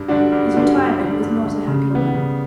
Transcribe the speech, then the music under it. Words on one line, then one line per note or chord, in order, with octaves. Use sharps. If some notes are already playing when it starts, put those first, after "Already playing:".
His retirement was not a happy one.
Already playing: G2
D3 G3 D4 F#4
G2
D3 G3 D4 F#4
G2
D3 G3
G2
D3 G3
C#3
G3 B3
C#3